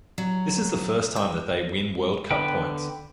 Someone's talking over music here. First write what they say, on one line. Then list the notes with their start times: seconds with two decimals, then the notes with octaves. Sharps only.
This is the first time that they win World Cup points.
0.18 F#3
1.16 G5
2.31 D3 B3 B4 G5